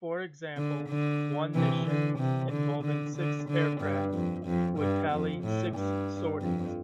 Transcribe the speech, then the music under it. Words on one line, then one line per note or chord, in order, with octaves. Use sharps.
For example, one mission involving six aircraft would tally six sorties.
D3
D3
C3 E3
D3
C3
D3
D3
D3
D3
G2
F2
F2
G2
F2
A2
G2
F2